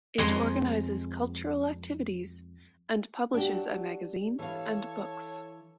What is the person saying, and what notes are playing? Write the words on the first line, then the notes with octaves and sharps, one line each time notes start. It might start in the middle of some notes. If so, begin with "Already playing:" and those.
It organizes cultural activities and publishes a magazine and books.
F2 G#3 C6
F#3 D4 G4
E3 A4 C#5 F5